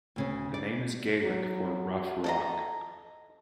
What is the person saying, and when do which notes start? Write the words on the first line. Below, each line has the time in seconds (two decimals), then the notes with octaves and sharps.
The name is Gaelic for "rough rock".
0.16 D2 C#3 C#4
0.54 D5
1.23 F#3
2.24 A4 D#5 A#5